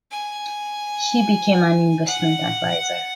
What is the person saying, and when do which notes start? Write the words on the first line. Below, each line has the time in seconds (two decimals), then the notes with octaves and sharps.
He became an investment adviser.
0.11 G#5
2.06 F#5